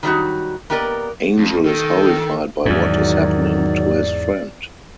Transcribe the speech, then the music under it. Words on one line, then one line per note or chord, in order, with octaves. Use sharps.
Angel is horrified by what is happening to his friend.
D#3 F#3 G3 C#4 D#4 F#4
A#3 B3 G4 A#4 D5 D#5
F2
D#3 A4
E2 G#2 D#3 F#3 D5